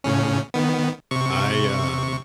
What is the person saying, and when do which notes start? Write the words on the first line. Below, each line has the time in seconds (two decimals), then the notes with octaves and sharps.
I, um
0.04 A2 C#3 C#4
0.54 D#3 B3
1.11 C3 C#6